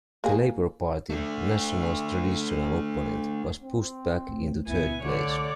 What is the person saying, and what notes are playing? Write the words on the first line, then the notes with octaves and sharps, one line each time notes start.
The Labour Party, National's traditional opponent, was pushed back into third place.
A#3 G#4
A3 D4
C4
A2
C#2 A#2 B3 E4 G#5
C2 A2 D3 C#5 D5